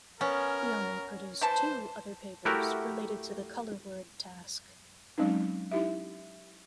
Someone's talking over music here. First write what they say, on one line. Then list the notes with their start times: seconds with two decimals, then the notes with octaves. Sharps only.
He only produced two other papers related to the color-word task.
0.21 B3 C#4 A#4
1.41 E3 C5 A5
2.45 A3 E4 F#4 G4 A#4 F#5
5.18 F#3 G#3 C4 C#4 D#4
5.72 D#4 E4 G4 E5